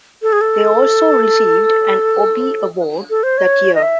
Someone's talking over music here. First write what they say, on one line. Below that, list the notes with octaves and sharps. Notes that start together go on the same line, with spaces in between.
They also received an Obie award that year.
A4
G#4
A4
A4
C5
C#5
D#5
E5